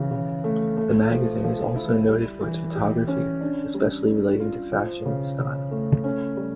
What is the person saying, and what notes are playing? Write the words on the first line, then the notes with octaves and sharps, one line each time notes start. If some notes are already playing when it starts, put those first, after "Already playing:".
The magazine is also noted for its photography, especially relating to fashion and style.
Already playing: C#3 E3
C#3
A3
A3
F3
F3
E4
G3
E3
G4
C#4
D4
G3
G3
F4
F3
C#3
C#3
A3
C#4
G3